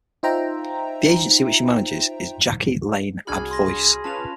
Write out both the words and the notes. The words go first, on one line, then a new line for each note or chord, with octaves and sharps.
The agency which she manages is Jackie Lane Ad Voice.
D#4 F4 C5 E5 G5 A#5
C2 D4 F#4 G#4 B5 F6 G#6
C6 A#6
C#4 F4 B4 A5 F7